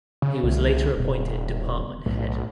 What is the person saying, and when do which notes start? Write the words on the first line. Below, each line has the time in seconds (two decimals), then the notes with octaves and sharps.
He was later appointed department head.
0.22 C#3
0.43 C2 D3 A3
0.96 D#1 G2 B2
2.06 B1 A2